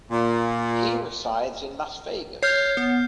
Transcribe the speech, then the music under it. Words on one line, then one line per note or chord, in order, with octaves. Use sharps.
He resides in Las Vegas.
A#2
C#5 F6 G6 C7
B3